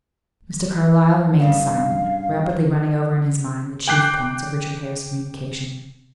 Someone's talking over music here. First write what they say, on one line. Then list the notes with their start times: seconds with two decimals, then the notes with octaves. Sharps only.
Mr. Carlyle remained silent, rapidly running over in his mind the chief points of Richard Hare's communication.
1.40 G2 A#2 C#3 F5
3.88 G5 D6 F#6 G6 C7